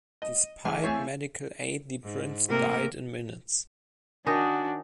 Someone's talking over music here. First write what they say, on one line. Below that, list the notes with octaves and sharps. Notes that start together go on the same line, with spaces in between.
Despite medical aid, the prince died in minutes.
D#5
A1 E4 G#4 F5
A3 C4 E4 C#5 G#5
G#2
C3 A3 A#3 A#4
D#3 C#4 D4 F#4 D#5